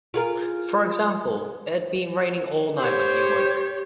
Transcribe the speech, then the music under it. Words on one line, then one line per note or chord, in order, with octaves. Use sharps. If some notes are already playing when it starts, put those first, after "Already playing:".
For example: It had been raining all night when he awoke.
F4 G#4 A#4
G4 C5 C#5